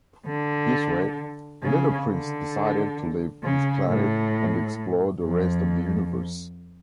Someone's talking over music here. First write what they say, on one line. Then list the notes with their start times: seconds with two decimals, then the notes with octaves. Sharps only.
This way, the Little Prince decided to leave his planet and explore the rest of the universe.
0.26 D3
1.63 C#3
2.07 D3
3.43 C#3
3.88 A2
5.24 F2